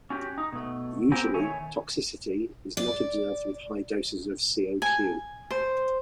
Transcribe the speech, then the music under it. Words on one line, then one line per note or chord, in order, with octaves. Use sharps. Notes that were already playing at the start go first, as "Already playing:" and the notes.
Usually, toxicity is not observed with high doses of CoQ.
C#4 F#4 G4
D#4
B2 A3
B3 C4 G4 A#4 G#5
D#3 A3 E4 C#5 G#5
D5
G#5
C5